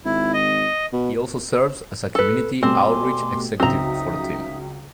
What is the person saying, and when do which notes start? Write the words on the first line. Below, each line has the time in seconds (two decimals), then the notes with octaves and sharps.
He also serves as a community outreach executive for the team.
0.05 G#1 E4
0.33 D#5
0.93 B2
2.15 A4 B4
2.63 B2 G3 A3 C4 G#5 C6 D6
3.60 C#2 F#3 C4 D#4 E5 A#5 D#6